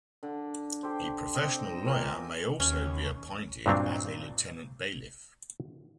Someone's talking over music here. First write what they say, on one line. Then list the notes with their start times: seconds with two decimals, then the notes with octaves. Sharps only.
A professional lawyer may also be appointed as a Lieutenant Bailiff.
0.23 D3
0.83 G4 A4 C5
1.35 C4 D#5
1.85 A#3 C4 F4 G#5
2.60 D#2 C#4
3.66 G2 A#2 F#3 C4 D4